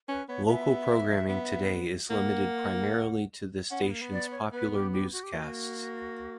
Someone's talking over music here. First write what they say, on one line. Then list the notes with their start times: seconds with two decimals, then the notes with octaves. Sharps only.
Local programming today is limited primarily to the station's popular newscasts.
0.08 C#4 B4
0.28 B3 C#5
0.48 B3 E5
1.29 B3
2.10 A#3 F#5
3.71 C#4 F#5
3.82 B3
3.91 A#3
4.02 B3
4.12 D5
4.31 C#5
4.52 B3 B4
4.73 G4
4.93 G4
5.12 F#4
5.23 G4
5.33 A#3 F#4